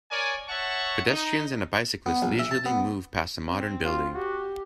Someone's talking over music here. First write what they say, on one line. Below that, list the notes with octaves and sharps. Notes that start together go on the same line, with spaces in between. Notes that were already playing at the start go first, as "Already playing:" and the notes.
Pedestrians and a bicyclist leisurely move past a modern building.
A#4 C#5 D5 G#5
C#5 E5 F#5 A5 C#6
D#4
B3
A#1
E5
A5
B3
C4
F4
F#4 G4